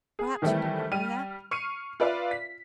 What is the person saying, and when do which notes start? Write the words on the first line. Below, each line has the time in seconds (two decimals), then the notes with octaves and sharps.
Perhaps you did not know that?
0.19 G#4
0.42 D#3 E3 G3 A3 C4 E4
0.92 G3 F6 D#7
1.51 C#6 F6 C7 C#7 D#7
2.00 F4 B4 D5 E5 F5
2.31 B6